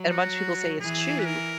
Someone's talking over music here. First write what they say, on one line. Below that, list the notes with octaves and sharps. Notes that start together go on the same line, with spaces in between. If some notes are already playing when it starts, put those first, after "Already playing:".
and a bunch of people say it's true,
Already playing: F#3
F#4
E3 G#4
B4
A#4